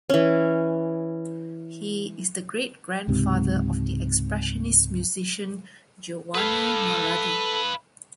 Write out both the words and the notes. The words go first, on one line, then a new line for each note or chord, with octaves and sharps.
He is the great-grandfather of the expressionist musician Giovanni Marradi.
E3 C#4
C#2 G#2 C3
A4 B4 F5